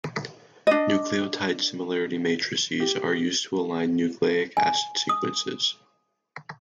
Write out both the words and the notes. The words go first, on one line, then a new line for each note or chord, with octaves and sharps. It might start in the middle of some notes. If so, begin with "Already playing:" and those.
Nucleotide similarity matrices are used to align nucleic acid sequences.
D4 D#5
G4
G#5
D#6